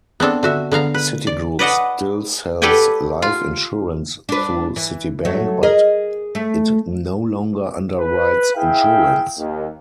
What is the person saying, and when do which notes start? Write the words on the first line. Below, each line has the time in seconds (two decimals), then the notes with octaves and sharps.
Citigroup still sells life insurance through Citibank, but it no longer underwrites insurance.
0.20 B3 C4 D4 A4
0.43 D3 F#4 E5
0.72 D3 B3 F5 A#5
0.94 B4
1.27 D5
1.59 B4 D5 D#5 F#5 A5
2.62 G4 A4 B4 D5 G5 G#5
3.22 F4
4.29 D4 B4
4.76 E3
5.25 F#3 A3
5.63 G#4 A#4 D#5
6.35 A3
7.99 B4
8.56 E4 G#4 E5 F5 G5
9.38 D#2